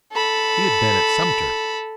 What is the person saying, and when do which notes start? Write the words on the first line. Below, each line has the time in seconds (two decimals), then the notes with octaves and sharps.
He had been at Sumter.
0.12 A4 B5